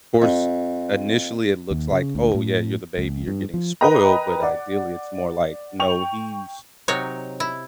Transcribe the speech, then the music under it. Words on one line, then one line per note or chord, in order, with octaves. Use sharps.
'course, initially it looks like, "Oh, yeah, you're the baby, you're getting spoiled," but ideally it's more like, "No, he's
F2
D#2
C#3
D2
A2
C#2
G2
F3
A#4 B4 D#5 G5 A#5
D5 F#5
G5 C#6 F7
C3 F#3 D#4 C#5
E4